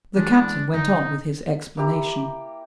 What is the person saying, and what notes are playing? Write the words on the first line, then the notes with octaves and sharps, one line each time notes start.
The Captain went on with his explanation.
E3 G#3 D4
D3 D#4 A#4
A#3 E4 G4 A#5